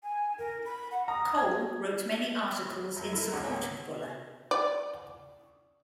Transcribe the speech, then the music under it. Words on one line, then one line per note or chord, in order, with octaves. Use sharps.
Cole wrote many articles in support of Buller.
G#5
A#4
B5
F#5
A#5 D#6
G#6
F#2
E4 A4 A#4
G#1 C#2 C#4 F#4 F#5 A#5
D5